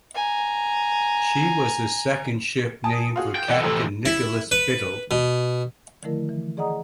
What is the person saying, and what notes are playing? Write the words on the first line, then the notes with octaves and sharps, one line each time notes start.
She was the second ship named for Captain Nicholas Biddle.
G#5 A#5
G#5 A5 D#6
F4 F#4 G#4
G5
E3 A4 D5 F#5 G5
F2 C3 A3
E4
B4
B2
D3 D#3 F3 A3 E4 A#4
E3
G#4 D5 D#5 F#5 A#5 D#6